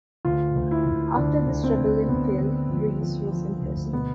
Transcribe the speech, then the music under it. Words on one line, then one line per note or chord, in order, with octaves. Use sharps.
After this rebellion failed, Reyes was imprisoned.
D2 F4
D2
E4
D2
D2 D4
D2
C4
D2
D2 B3
D3
F3
F3
F3
D2
B2 B3